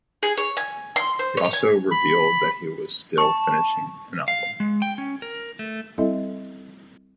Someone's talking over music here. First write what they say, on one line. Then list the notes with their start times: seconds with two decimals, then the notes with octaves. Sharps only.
He also revealed that he was still "finishing" the album.
0.23 G#4
0.37 C#5
0.57 G#5
0.96 C6
1.19 C5
1.37 C#5
1.53 G#5
1.91 B5
3.18 A5 C#6
4.28 F5
4.60 G#3
4.82 G5
4.98 C#4
5.22 A#4
5.59 A3
5.98 G3 C4 E4 A4 D#5 E5